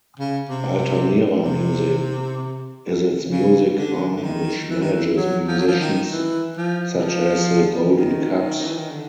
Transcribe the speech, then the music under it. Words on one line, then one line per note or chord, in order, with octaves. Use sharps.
Altamira Music is its music arm which manages musicians such as The Golden Cups.
C#3
C3
C3
C#3
D3
D3
D#3
E3
D#3
E3
F#3
F3
F#3
F3
D#3
E3
F3
E3
F3
D#3
E3
D#3
D3